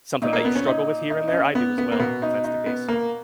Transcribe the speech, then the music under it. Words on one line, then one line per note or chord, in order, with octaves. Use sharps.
something that you struggle with here and there, I do as well, if that's the case.
A#2 D#4
A#3
B3
C#4
D#4
D#4
D#4
C#4
B3
B3
A#3
B2 B3
D#4
D#4
B3
A#3